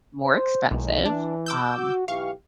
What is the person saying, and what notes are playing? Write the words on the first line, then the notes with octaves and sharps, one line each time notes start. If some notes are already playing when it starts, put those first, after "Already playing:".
more expensive, um
C5
B1 A2 D#3 G#3
E3 D4
D6 E6 G6
F#4
B1 E3 G4 F5 C#6